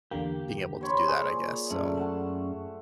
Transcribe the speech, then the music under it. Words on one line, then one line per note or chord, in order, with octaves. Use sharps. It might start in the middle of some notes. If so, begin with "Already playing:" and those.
being able to do that, I guess. So
E2 D3 A#3 G4
C5 C#5 B5
A#2 G#4 C6
F#2 A3 C#4 D5
F5 F#5 A5